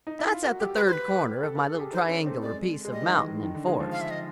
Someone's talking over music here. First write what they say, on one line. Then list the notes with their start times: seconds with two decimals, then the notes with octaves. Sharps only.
That's at the third corner of my little triangular piece of mountain and forest.
0.07 D#4
0.19 E4
0.31 F4
0.42 F#4 A#4
0.59 G4 A4
0.76 G4 B4
0.87 C5
0.93 B4
1.43 A4
1.55 A#4
1.74 G#4
1.80 G4
1.92 D#4 C5
2.09 C#4
2.26 C4
2.42 G#3 D5
2.85 G#3
2.92 G3 D#5
3.02 E3
3.09 D#3
3.25 D#3
3.43 D#3
3.54 D3
3.67 G#3
3.80 F3
3.92 F5
4.01 E5
4.10 D#5